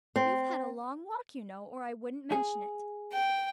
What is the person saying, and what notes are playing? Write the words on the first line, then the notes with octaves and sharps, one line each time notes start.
'You've had a long walk, you know, or I wouldn't mention it.
C4
G#4
G5